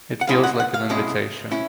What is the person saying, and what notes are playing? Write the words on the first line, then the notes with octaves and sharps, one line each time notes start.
It feels like an invitation.
F#5
C2 B2 G#3 C#4 E4 F5
F#5
F#5
F5
C2 B2 G#3 C#4 E4
C#4 E4